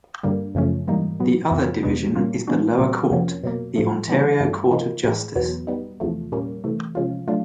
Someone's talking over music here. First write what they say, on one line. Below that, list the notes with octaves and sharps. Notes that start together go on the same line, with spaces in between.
The other division is the lower court, the Ontario Court of Justice.
G2 D3 G3 A#3
F#2 C#3 F3 A3 C#4
G#2 E3 G3 A#3 D#4
B2 F#3 B3
F2 C3 F3
E2 B2 G#3 B3 D4
A#2 G3 A#3 C#4 F4
E3 G#3 B3 D4 F#4
A#2 G3 C4
F2 C3 F3 A#3 C#4
B2 F#3 A#3
A2 F3 A3
E3 G3 B3 D4
G2 E3 A3
C3 F3 A#3 D#4
A2 E3 G#3
E2 B2 F#3 B3
G3 B3 D#4
E2 C3 F3 A3
A#2 G3 A#3 C#4
C3 E3 A3
C3 F3 G#3 C#4 F4
F#3 A3 D4 F4